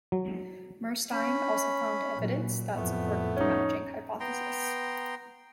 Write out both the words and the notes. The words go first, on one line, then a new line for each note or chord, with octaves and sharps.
Murstein also found evidence that supported the matching hypothesis.
F#3
C#4 B5
A#2 F#3
F2 A2 A3 B3
C#4 D#4
B3 G5 A#5 C6